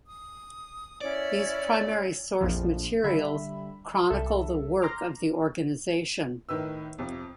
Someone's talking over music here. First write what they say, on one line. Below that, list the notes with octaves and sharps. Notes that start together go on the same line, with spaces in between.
These primary source materials chronicle the work of the organization.
D#6
C#4 E4 C#5 D5
A#1 F2 F3
D3 G3 E5 B5
C2 A4 E5
A#5 C6 D6 F6
A2 D#3 B4 E6
F2 C3 F3